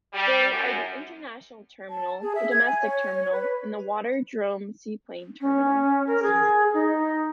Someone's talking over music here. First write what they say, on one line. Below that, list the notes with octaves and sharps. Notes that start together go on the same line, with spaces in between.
They are the International Terminal, the Domestic Terminal and the waterdrome Seaplane Terminal.
G3
F#2
A5
G#4
E5
G#6
G#5
C#5
B4
C#4
A#4
G#4
D#4